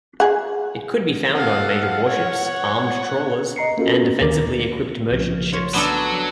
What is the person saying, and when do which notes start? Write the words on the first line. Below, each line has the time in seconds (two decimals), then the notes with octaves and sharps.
It could be found on major warships, armed trawlers and defensively equipped merchant ships.
0.20 G#4 F#5
1.34 A4 F5 F#5
2.07 C#5
3.56 D#5 A#5 C7 C#7
3.78 A#3 C#4 F4 F#4 A4 A#4
4.21 D2 D#3 A#4 D6
4.59 A#3
5.11 B1 C#3 F3
5.52 F4 C#5
5.74 F#3 B3 D4 A4